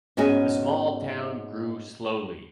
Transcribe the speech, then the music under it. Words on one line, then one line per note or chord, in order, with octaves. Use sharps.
The small town grew slowly.
G#2 B3 C#4 F#4 G#4 G#5